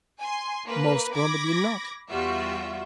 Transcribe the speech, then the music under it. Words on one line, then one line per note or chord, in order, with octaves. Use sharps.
Most probably not.
G#5 C6
A#3 B4
B5 D6 G#6 A#6
E2 G3 F4 F#4 E5